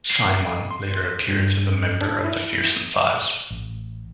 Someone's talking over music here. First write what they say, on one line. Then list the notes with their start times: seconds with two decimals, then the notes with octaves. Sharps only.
Psimon later appears as a member of the Fearsome Five.
0.10 C7
0.71 C6
1.28 G2
2.01 D4
2.25 E4
3.51 A1